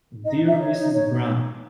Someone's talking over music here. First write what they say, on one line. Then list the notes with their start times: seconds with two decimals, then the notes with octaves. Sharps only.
Dear Mrs Brown.
0.25 D#4 D#5
0.43 D#4 E5
0.59 C#5
0.70 D#5
0.77 D#4
0.94 D#4 C#5
1.11 D#4